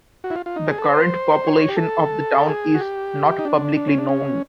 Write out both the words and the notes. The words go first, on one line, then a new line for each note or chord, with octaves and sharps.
The current population of the town in not publicly known.
F#4
E4
F4
F4
D#4
G#4
A4
B4
C5
C#5
C5
C#5
G4
A4
G#4
F#4
G4
D#4
D4
D4
C#4
D4
C#4